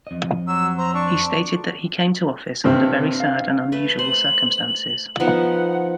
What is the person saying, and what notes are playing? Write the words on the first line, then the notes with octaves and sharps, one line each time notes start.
He stated that he came to office under "very sad and unusual circumstances".
F2 D#5
F#3 E6
C5 A#5
D4 C#6
G2 C3 C4
F5
A3 B4
C5 F#7
F3 B3 D#4 F#5